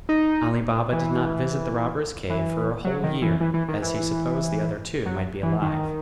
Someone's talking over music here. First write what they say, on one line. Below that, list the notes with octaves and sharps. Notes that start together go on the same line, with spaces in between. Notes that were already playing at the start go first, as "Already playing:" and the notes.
Ali Baba did not visit the robbers' cave for a whole year, as he supposed the other two might be alive.
D#4
E3
E3
F#3
D#3
E3
E3
E3
D#3
E3
F#3
E3
D#3